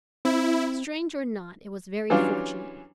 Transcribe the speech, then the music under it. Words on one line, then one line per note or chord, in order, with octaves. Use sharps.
Strange or not, it was very fortunate.
C4 E4
E3 F#3 G3 C#4 D4 F4